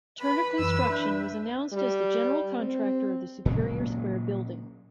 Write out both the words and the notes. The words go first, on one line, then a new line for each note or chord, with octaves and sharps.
Turner Construction was announced as the general contractor of the Superior Square building.
B4 B5
F#2 E3 E6
D4 E5 G6
G3
C4
A#2 C#3 F#3 G#3